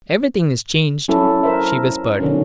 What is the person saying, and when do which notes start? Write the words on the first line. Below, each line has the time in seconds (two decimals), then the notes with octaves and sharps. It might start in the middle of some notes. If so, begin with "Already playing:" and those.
"Everything is changed," she whispered.
1.08 F#3 C#4 E4 A4
1.43 A#4 C5 E5
2.20 B2 D3 D#3 F#3 C#4